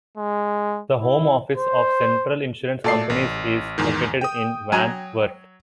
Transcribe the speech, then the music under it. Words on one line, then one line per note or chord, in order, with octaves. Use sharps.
The home office of Central Insurance Companies is located in Van Wert.
G#3
E4
C5
A#2 A3 D5 A5 C7
A1
E2 G#2 D#3
G5 D#6
F#3 G#5 A#5